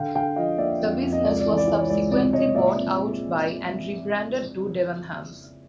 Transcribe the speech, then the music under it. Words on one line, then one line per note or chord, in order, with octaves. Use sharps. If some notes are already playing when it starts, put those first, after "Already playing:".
The business was subsequently bought out by and rebranded to Debenhams.
Already playing: D3 F5 G5
D3 F5 G5
F3 D#5 F5
A#3 D5 E5
F2
F2
D#5
C#2 D5
D5
E3
D5
E3
C#5
C#2 D5
C3 D5
D5
C#2 C#5 D#5
A#2 D5 E5
C4
G#3